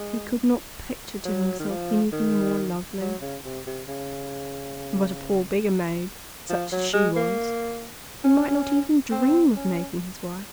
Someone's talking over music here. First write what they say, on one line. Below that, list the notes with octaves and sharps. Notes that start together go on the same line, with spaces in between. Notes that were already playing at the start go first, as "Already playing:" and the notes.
He could not picture to himself anything more lovely. But a poor beggar-maid, such as she was, he might not even dream of making his wife.
Already playing: G#3
F#3
D#3
F3
D#3
F#3
C#3
C3
C3
C#3
F3
F#3
G#3
A#3
C#4
C4
C#4